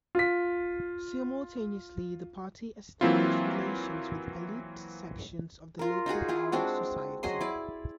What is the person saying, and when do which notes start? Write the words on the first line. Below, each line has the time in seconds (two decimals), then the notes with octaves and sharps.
Simultaneously the party establish relations with elite sections of the local Arab society.
0.15 F4 B6
3.01 E3 F#3 A#3 C4 E4 F4
5.79 F4 A#4
6.06 D#4 F4 F#4 G#4
6.28 E4 F4 G#4
6.52 G#3 C4 D4 F#4
7.23 F#3 G#4 D#5 C6
7.40 E4 D5